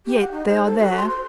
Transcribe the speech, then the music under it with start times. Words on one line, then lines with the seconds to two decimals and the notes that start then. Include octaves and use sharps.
Yet they are there.
0.06 G4
0.20 F#5
0.31 D#4
0.47 C5
0.65 A4
0.79 F#4
0.97 C6
1.10 C5